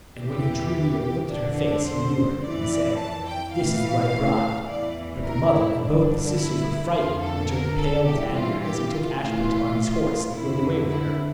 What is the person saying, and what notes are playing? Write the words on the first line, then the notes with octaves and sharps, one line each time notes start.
And when he drew near and looked at her face he knew her, and said, 'This is the right bride.' But the mother and both the sisters were frightened, and turned pale with anger as he took Ashputtel on his horse, and rode away with her.
E2 E3 G4
F2 D3 D4
D4
C5
F2 E3 D5
A5
G5
A2 E3 F5
E2 E3 D5
A#4
E4
G2 D3 D4
E4
F2 D3 F4
A4
A#4
A4
G2 E3 G4
F4
G4
F4
A2 E3 F4
F2 D3 E4
E4